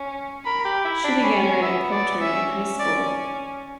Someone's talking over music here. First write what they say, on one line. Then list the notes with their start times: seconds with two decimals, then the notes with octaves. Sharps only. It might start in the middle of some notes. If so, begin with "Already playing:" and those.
She began writing poetry in high school.
Already playing: C#4
0.45 A#4 B5
0.65 G4
0.85 E4
1.04 D4 B5
1.23 C#4
1.43 C#4
1.62 B3 E5
1.92 D5
2.21 C#4 E5
2.80 D5